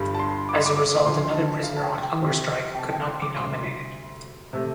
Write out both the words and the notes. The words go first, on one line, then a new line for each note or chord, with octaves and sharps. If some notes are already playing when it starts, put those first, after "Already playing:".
As a result, another prisoner on hunger strike could not be nominated.
Already playing: G1 G2 G3
A5
C6
D6
C6
D6
D6
D2 D3 F3 C6
A5
F5
A5
G5
G5
F2 C3 F3
G5
A5
G5
C6
D6
D2 C3 G3 C6
C3 A3